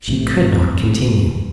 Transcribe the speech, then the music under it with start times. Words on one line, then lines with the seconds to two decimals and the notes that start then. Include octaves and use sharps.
She could not continue.
0.08 A#1 A2 C3